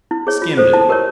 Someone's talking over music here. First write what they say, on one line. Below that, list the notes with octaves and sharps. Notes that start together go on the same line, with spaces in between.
Skimmed it.'
E4
G#4 C#5
F4
A4 C5
E4 A5
G4 A#4 C#5